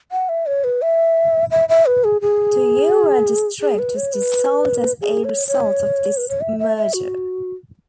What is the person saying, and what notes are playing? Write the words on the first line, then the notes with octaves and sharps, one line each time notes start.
Toyoura District was dissolved as a result of this merger.
F#5
E5
C#5
B4
E5
E5
E5
B4
G#4
G#4
G#4
B4
C#5
B4
G#4
C#5
C#5
B4
C#5
E5
E5
E5
F#4